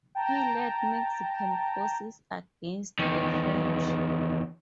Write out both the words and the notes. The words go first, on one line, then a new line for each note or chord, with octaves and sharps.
He led Mexican forces against the French.
G5 A5 A#5
E2 D#3